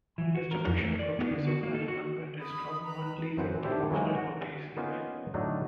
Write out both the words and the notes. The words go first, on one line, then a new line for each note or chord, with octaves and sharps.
All distribution copies of the album were destroyed, and only the promotional copies remain.
E3
F#4
A#4
F2
A3
D5
B3
D3
F#4
A#3
A4
F#4
B5 D#6
B4 A#5 B5
F#2 C4 B4 F#5
D4 E4 G4 A4 C5 D5
E3 F#3 G#3 A#3
F#4 F#5
A#3 B3 C#4 D#4 F4
A2 D3 F#3 D4 D#4